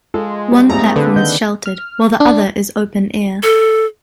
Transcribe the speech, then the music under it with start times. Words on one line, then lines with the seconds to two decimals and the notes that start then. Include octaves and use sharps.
One platform is sheltered while the other is open air.
0.14 G#3 F4 A4
0.52 G3
0.70 G#1 G3 A3 A#3 C4 G#4 A#5
0.96 D3 B4
1.16 D#3 D#5 G6
1.66 F6
2.20 D4
3.43 A4